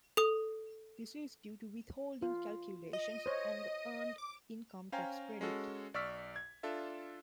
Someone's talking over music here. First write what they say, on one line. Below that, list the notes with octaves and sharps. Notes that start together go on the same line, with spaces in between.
This is due to withholding calculations and the earned income tax credit.
A4 D#6
F4
D#5
C5 C#5
D6
C#4 C5 F5 G5 G#5 A#5
G#3 C#4 F#4 A4
B1 D5 C#6 E6 F6 B6
G#6
D4 F4 A4 E5